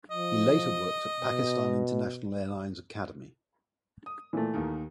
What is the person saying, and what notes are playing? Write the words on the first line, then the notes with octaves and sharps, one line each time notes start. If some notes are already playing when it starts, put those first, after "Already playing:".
He later worked at Pakistan International Airlines Academy.
F3 D#5
B2
D#6
A#2 E3 A3
D#2 D#3